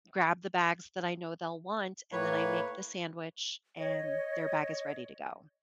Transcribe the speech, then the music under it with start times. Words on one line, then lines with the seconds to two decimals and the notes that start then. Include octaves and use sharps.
grab the bags that I know they'll want, and then I make the sandwich, and their bag is ready to go.
2.13 A2 A#3 B4 C#5
3.77 C#5 D#5